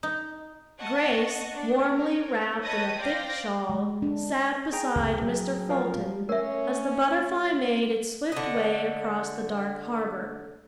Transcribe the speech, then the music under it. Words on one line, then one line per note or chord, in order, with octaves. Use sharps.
Grace, warmly wrapped in a thick shawl, sat beside Mr. Fulton as the Butterfly made its swift way across the dark harbor.
D#4
D#5 F#5 A5 C#6
D4
A#4 C#5
B4 C#5 D#5 A5 D#6 A#6
C5 D5 F5 G5 A#6
G#3
D4
G#4 G5 A#5
C#2
A2 F#3
F3 A#4 F5
A3 C#4 A#4 C#5 E5
D3 D#5